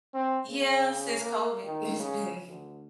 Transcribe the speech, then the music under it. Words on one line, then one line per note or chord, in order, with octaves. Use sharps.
Yeah, since COVID, it's been
C4
C#3
A#3
D#3
C#3
D2